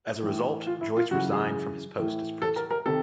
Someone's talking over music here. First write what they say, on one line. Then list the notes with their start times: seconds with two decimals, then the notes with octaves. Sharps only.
As a result, Joyce resigned from his post as principal.
0.23 A2 E3
0.67 F4
0.81 E4
0.97 F4
1.11 F#2 C#3 E3 F#4
1.32 G#4
1.98 A2 E3
2.42 A4
2.56 A#4
2.71 A#4
2.86 C3 D#3 A4